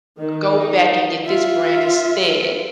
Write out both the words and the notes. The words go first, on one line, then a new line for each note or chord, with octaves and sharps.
go back and get this brand instead.
D#3
D#4
F4 E5